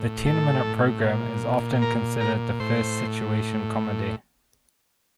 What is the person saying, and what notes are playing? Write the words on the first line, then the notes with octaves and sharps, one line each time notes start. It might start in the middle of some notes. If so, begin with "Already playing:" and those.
The ten-minute program is often considered the first situation comedy.
Already playing: A2
A4
A#2
A#4
A#4
A2 C5